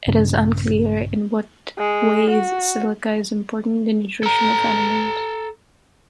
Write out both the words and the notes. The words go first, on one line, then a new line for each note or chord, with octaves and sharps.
It is unclear in what ways silica is important in the nutrition of animals.
A#1 G2 C#3 D4
G#3
F#4
A4 A#5